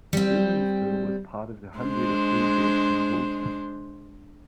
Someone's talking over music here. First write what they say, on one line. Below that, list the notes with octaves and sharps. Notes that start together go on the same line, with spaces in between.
Ilminster was part of the hundred of Abdick and Bulstone.
G3 C4
G#3 D4 C5